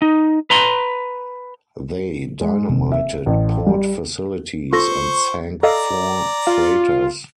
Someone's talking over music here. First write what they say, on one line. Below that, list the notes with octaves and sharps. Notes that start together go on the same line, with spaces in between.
They dynamited port facilities and sank four freighters.
D#4
B4 A#5 C6
G#3
F1
E5
A1
G3
F4 A4 C5 C#6 A#6
A4 D5 D#5 F5 A#5
F4 F5